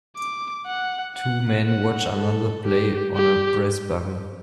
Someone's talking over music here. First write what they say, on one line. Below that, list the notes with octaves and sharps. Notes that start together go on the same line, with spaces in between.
Two men watch another play on a brass bugle.
D6
F#5
F#5
F#5
A4
G4
G4